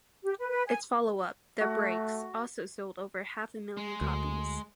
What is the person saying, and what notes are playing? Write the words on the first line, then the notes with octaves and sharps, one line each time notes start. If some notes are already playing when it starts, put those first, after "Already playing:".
Its follow-up, "The Breaks", also sold over half a million copies.
G4
B4
B4
G#5
A3 F#4
G#3
D2